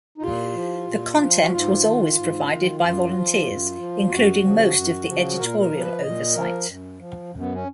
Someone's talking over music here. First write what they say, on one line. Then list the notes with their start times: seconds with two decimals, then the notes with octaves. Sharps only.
The content was always provided by volunteers, including most of the editorial oversight.
0.18 D#4
0.22 A#2 F4
0.54 F3
0.87 A#2
1.19 F3
1.42 F#4
1.52 G#2 F4
1.83 D#3
2.16 G#2
2.48 D#3
2.80 F#2 F4
3.13 F3
3.45 F#2
3.77 F3
4.09 F#2 F#4
4.42 C#3 F3
4.73 F#2
5.06 C#3 F3
5.38 A#2 A#4
5.60 A#4
5.70 F3
5.80 B4
6.02 A#2 D#5
6.34 F3 A#4
6.66 F#2
6.99 F3
7.31 F#2
7.39 B3
7.54 C#4